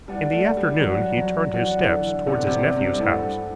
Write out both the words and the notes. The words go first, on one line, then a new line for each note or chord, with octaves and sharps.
In the afternoon he turned his steps towards his nephew's house.
G3 E4 B4 D5 F#5 A5
A3
G3
G3
F#3 E4 B4 D5 F#5 A5
F#3
F#3 E4 B4 D5 F#5 A5
E3
D3
C3 E4 B4 D5 F#5 A5
D3
C3
C3
G2
A2 E4 A4 C5 F#5 A5
G2